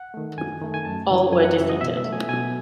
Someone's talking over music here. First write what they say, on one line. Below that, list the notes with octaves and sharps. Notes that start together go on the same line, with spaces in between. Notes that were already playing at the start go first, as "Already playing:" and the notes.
All were defeated.
Already playing: F#5
D#3 A3
F#2 G#5
D#3 A3
G#5
F#2 A5
C#3 E3
F#2 G#5
F#5
C#3 E3 E5
D#5
B2 E5
E5
F#3 A3
G#5
B2 G#5